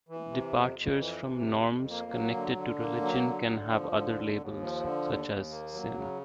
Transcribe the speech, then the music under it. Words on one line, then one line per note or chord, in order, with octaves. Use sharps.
Departures from norms connected to religion can have other labels, such as sin.
E3
C3
F2
F2
E3
C3
F2
F2
A#3
F#3
D3
D3
A#3
F#3
D3
D3
F3
D3
D#2
D#2
F3
D3
D#2
D#2
A#3
F#3
C#3